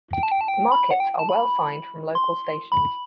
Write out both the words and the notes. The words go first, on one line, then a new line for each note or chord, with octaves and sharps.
The markets are well signed from local stations.
G5
A5
G5
A5
G5
B5
F#5
G5
A5
B5
C6
B5